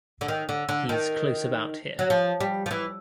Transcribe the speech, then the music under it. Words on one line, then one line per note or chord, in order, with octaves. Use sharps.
He's close about here.
D3
D#3
D3
D3
D#3
F#3
F3
G3
F3
E3